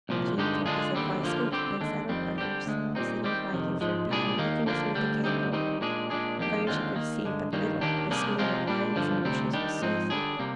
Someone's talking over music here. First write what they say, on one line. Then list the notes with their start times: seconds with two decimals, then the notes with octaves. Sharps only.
Jean thought his advice good and said her prayers, sitting quietly for a time, looking through the cave door, though she could see but little, the screen of vines and bushes was so thick.
0.09 C2 A#2 F3
0.37 G2 D3 G#3 D#4 G4
0.66 D3 G#3 D4 F4 G#4
0.94 D#2 D3 G3 C4
1.23 D3 F3 A#3 F4
1.52 D3 G3 C4 G4
1.80 D#2 D3 G#3 D4
2.09 F2 D#3 G3 C4
2.38 D3 G3 C4 G4
2.66 D2 D3 G#3
2.95 A#2 G3 C4 D#4
3.24 D#3 G3 C4 G4
3.52 F2 C3 D#3
3.81 G#2 F3 G#3
4.09 C2 A#2 G3 D4 G#4
4.38 D#2 D#3 A#3
4.66 D3 F3 A#3 D4
4.95 D2 D3 G3
5.24 D2 D3 G3 C4 D#4
5.53 D#3 G3 C4 D#4
5.81 A#2 G#3 D4 G#4
6.10 A#2 G#3 D4 G#4
6.38 F2 D#3 A#3 D4 G4
6.67 D#2 D3 G#3 C4 F4
6.95 D#2 D#3 A#3
7.24 G2 D3 G#3
7.53 G2 D#3 G3 A#3
7.81 D#2 D#3 A#3 D4 G4
8.10 C3 G3 A#3 D4 G#4
8.39 C3 F3 G#3 C4 F4
8.67 A#2 G3 D4
8.96 G2 D3 F3
9.24 D2 C3 G3 C4
9.53 D#3 G3 D4 G4
9.81 G#2 F3 C4 D#4
10.10 D3 G3 D4 G#4
10.39 C3 G3 A#3